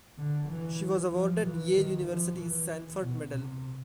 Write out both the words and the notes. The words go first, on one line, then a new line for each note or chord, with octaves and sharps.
She was awarded Yale University's Sanford Medal.
D3
E3
F3
E3
D#3
F3
E3
B2
C3